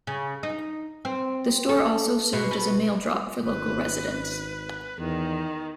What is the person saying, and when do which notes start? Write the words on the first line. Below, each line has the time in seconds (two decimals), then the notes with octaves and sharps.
The store also served as a mail drop for local residents.
0.07 C#3
0.43 D#4
1.05 C4
1.69 A4
2.33 B2
2.51 B2
3.43 G#1 B4
4.99 E2 D#3